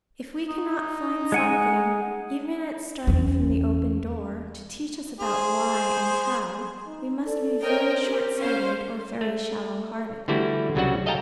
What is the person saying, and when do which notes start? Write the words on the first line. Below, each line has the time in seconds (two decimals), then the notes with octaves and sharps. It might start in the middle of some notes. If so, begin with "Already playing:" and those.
If we cannot find something, even at starting from the open door, to teach us about Why and How, we must be very short-sighted, or very shallow-hearted.
0.47 D#4
1.32 G#3 F#5 G#5
3.07 E2 C#4
5.20 G#4 C5
6.87 D#4
7.26 A4 D5
7.63 C4 A#4 C#5 D#5 G5
8.05 G4 A#4
8.38 C#4 C5 F5
9.21 A3
10.28 D3 E3 G3 A3 E4 F#4
10.75 C2 C#3 F#3 G3 F#4 F#5
11.06 A4 D#5 F5 G5 A5 A#5